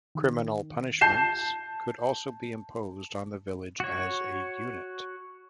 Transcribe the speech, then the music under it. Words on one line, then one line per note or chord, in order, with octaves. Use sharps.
Criminal punishments could also be imposed on the village as a unit.
D#3
A5 G6 C7 E7
F#4 C#5